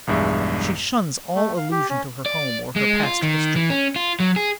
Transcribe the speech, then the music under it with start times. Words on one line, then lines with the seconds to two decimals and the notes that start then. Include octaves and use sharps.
She shuns all allusion to her home or her past history.
0.07 B1 E2 G2 G#3 E5
1.35 A3
1.57 F5
1.71 G4
1.89 C#4
2.26 D5
2.76 G#3
3.03 F4
3.23 D#3
3.56 E3
3.70 C#4
3.96 F4
4.20 F#3
4.36 G#4